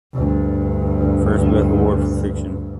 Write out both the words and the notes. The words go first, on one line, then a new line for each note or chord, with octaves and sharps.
First Book Award for Fiction.
D2 G2